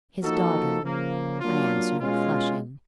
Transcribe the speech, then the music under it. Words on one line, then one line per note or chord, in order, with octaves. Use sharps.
'His daughter,' I answered, flushing.
F3 A#3 D#4 F#4 A4
C#3 F3 A#3
F#3 A#3 D4 F4
B2 G#3 C#4 F4